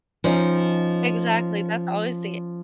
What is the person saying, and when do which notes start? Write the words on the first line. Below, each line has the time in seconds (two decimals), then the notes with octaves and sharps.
Exactly, that's always the
0.24 F3 C#4 D#4